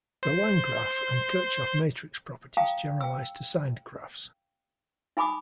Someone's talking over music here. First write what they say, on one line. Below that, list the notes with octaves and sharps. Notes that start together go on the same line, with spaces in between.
The line graph and Kirchhoff matrix properties generalize to signed graphs.
C5 C6
F5 G5 A5 A#5 D#6
G5 E6
D#4 G#5 B5 D6 D#6